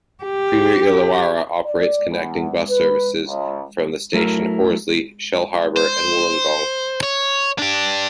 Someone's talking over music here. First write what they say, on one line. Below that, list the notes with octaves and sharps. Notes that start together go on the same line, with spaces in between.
Premier Illawarra operates connecting bus services from the station to Horsley, Shellharbour and Wollongong.
G4
D5
E2
B4
C#2
F#3 A3 E4 A#4
C5
C#5
D4 G4